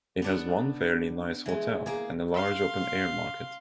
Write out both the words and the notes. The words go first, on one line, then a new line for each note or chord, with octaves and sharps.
It has one fairly nice hotel and a large open-air market.
B3 D4 F#5
E3 G#3
A#3 G#4
F5 C6